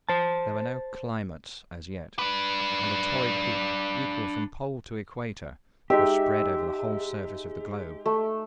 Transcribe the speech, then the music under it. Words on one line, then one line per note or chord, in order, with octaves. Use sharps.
There were no 'climates' as yet, and a torrid heat, equal from pole to equator, was spread over the whole surface of the globe.
C5 A5
D4 B4
G#3 D#4 G4 E5
A3